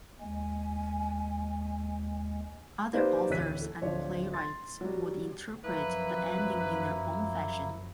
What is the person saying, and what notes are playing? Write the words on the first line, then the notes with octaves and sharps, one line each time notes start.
Other authors and playwrights would interpret the ending in their own fashion.
D#2 G#3 G#5
A#3 D#4 G4 B4 C5 D5
D1 E3 C#5 F#6 B6 D#7
A4
D1 F3 C#5 D5
C6 A6
F#3 G3
F#2 F3 F#3 A#3 E4 B4